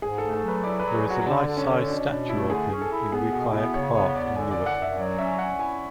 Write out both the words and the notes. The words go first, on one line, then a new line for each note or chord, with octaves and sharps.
There is a life size statue of him in Weequahic Park in Newark.
G#2 G#4
A3 A4
A4
F#3 B4
E4 D5
B4
F#3
G#4
F#3 F#4
D3 D4
D3
C#4
D3
B2 D4
B2 D4
A3 E4
D3 G#4
C#4
A4
E4
B3 G#4
B2 F#4
B3 E4
C#3 C#5
B3 C#5
E2 D5
D3 G#5
D5
F#2
F#5
F#2
E5
F#3 D5
C#4 E5
C#4 F#5
E4 G#5